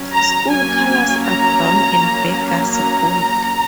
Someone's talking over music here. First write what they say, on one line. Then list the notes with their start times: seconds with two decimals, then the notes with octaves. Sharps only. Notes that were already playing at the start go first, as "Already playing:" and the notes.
School colors are brown and Vegas gold.
Already playing: F#3 C#4
0.14 A#5
0.50 F#3 A#3 C#4 G#5
1.24 A#5
1.97 F#3 A#3 C#4
2.71 A#5